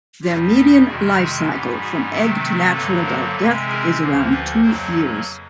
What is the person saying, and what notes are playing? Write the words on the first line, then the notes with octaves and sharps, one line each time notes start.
Their median life cycle from egg to natural adult death is around two years.
E2 B2 G3 F4 G4
G4 A4
F2 C3 D#3 G#3 F#4 G#4
F#4 G#4
G#2 E3 G3 B3 G4 A4
F#4 G#4
C3 D#3 F#3 A3 C4 G4 A4
G2 D3 F#3 A#3 A4 B4
A#4 C5
C3 E3 G#3 C4 A4 B4
G#4 A#4
D2 D3 F3 A#3
A4 B4
F2 C#3 F#3 A#3 A#4 C5
A4 B4